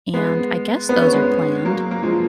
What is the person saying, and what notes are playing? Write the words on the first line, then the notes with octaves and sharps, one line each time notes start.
And I guess those are planned,
G#3 B3
B3
C#4
G#3 B3
F#3 A#3
F#3 A#3
F3 G#3